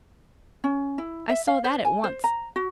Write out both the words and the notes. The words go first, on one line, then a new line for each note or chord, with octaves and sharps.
I saw that at once.
C#4
E4
E5
F5
C5
G#5
C5
A#5
F#4